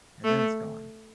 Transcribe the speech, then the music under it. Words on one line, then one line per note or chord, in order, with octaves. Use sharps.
and then it's gone,
A3